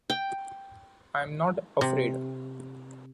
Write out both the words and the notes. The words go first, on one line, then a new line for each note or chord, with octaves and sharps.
I’m not afraid.
G5
C3